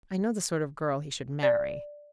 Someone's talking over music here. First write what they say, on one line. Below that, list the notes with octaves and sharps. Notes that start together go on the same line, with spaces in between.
I know the sort of girl he should marry.
D5